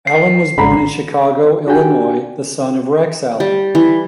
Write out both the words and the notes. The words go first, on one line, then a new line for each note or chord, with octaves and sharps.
Allen was born in Chicago, Illinois, the son of Rex Allen.
C7
G#1 G#2 C#3 A#5 B5
D4 F#4 G4 G5 G#5
G3
E3